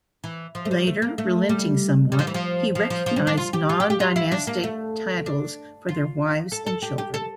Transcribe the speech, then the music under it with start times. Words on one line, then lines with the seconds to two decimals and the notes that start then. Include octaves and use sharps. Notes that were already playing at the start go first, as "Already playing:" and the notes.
Later, relenting somewhat, he recognised non-dynastic titles for their wives and children.
0.24 E3
0.55 F3
0.65 A3
0.71 G3
0.87 A3
1.02 A#3
1.18 A3
1.49 G3
2.12 G3
2.19 F3
2.27 E3
2.34 F3
2.75 F3
2.90 F3
3.06 F3
3.16 G3
3.27 D4
3.38 F4
3.53 G4
3.69 F4
3.80 G4
3.90 G4
4.00 F4
4.16 E4
4.32 D4
4.47 A#3
4.64 A3
5.26 D4
5.89 F4
6.52 A4
6.67 A4
6.82 G4
6.98 G4
7.14 A4